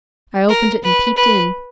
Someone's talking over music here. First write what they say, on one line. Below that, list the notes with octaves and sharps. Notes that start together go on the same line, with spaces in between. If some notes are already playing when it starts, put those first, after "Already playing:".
I opened it and peeped in.
A#4
B4
B4